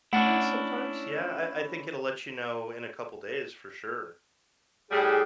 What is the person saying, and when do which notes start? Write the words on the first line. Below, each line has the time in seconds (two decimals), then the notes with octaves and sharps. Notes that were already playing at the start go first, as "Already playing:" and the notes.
Eh, sometimes, yeah, I I think it'll let you know in a couple days for sure.
0.13 A3 C#4 D4 E4 F#5
4.91 A2 G3 G#4